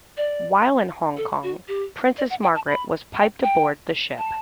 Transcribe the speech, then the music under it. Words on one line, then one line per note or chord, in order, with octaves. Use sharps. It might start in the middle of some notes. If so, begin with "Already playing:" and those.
While in Hong Kong, Princess Margaret was piped aboard the ship.
D5
A4
F#4
G4
D5
F#5
G5
A5
B5
G5
G5
A5